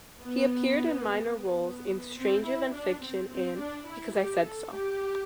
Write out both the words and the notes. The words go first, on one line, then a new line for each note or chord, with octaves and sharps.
He appeared in minor roles in "Stranger Than Fiction" and "Because I Said So".
B3
B3
C4
E4
D4
C4
C4
D4
E4
G4
A4
G4